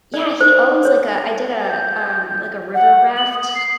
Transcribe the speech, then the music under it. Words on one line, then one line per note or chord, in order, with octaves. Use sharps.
Yeah, he owns like a I did a um, like, a river-raft,
D5
C5
C#5
G6
F#5
F#7
D#6
C7